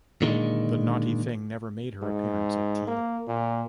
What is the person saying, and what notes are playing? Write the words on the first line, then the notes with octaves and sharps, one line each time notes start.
The naughty thing never made her appearance at tea.
A#2 D3 D#3 G#3
G#2
A#3
A#2